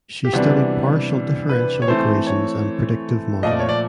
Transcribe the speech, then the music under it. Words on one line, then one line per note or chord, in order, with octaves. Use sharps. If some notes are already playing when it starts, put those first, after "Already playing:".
She studied partial differential equations and predictive modelling.
G4
C3 E3 G3 B3 D4 F#4
B4
C#5
E3 A3 C4 C5
C#5
A#2 F3 A3 D#5
D5
C#5
D5